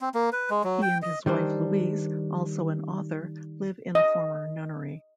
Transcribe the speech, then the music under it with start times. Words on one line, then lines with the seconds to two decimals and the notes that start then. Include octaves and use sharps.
He and his wife Louise, also an author, live in a former nunnery.
0.01 C4
0.14 A#3
0.33 B4
0.50 G#3
0.64 F#3
0.82 G5
1.02 D#5
1.26 D#3 G3 D4 C5
3.95 D#5